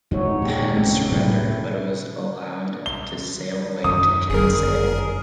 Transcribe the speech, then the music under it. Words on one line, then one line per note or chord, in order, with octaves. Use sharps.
Penn surrendered but was allowed to sail away to Kinsale.
E2 G#2 A3 D#4 F#4 C#5
D#2 A#2 G4 G#4
F#1 C4 C#4 A4
A2 C3 E4 B4
G7
F#2 D#3 D#6
G1 G#4 A#4